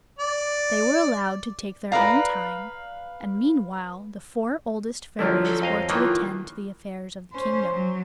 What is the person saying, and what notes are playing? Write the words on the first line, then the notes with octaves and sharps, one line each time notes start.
They were allowed to take their own time, and meanwhile the four oldest fairies were to attend to the affairs of the kingdom.
D5
B4 D5 F5 A#5
D3 F3 F#3 E4
A4
F2 D#5 F5
D#3 E3 A#3 F4
C#4 C5
F#3